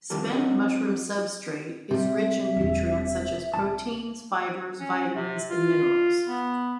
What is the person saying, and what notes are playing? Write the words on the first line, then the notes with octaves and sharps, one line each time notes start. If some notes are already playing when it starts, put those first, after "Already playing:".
Spent mushroom substrate is rich in nutrients such as proteins, fibers, vitamins, and minerals.
C2 F2 D#3 G3 A#3 A4
F#3 C4 D#4 F#4
C3 G3 E5
E1 G#3
C2 A5
C#4
C3
F4
B3